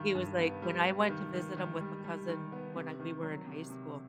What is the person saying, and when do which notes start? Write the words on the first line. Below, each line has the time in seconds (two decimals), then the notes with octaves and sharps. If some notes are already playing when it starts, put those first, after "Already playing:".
He was, like, when I went to visit him with a cousin when I we were in high school,
Already playing: G2 D#3 G3
0.15 G2
0.38 B3
0.62 G3
0.86 G3
1.10 D#3
1.34 D#3
1.57 D#3
1.81 G3
2.04 G3
2.28 D#3
2.52 B3
2.76 C3
3.00 D#3
3.23 F#3
3.47 C3
3.70 C3